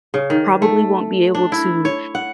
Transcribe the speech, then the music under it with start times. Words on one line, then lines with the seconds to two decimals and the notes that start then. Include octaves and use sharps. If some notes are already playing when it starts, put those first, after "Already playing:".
probably won't be able to
0.14 C#3
0.30 D#3
0.62 A3
1.35 D4
1.52 E4
1.85 C#5
2.15 F#5